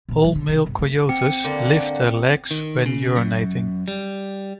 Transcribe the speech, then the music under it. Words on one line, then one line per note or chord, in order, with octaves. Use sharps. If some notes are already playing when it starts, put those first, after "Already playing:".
All male coyotes lift their legs when urinating.
A#2 B3
E3 F#3
C#3
C3
G1
E3 A3
C4 G5 C#7
D3 A#3
D#3
C#3
F#2
G3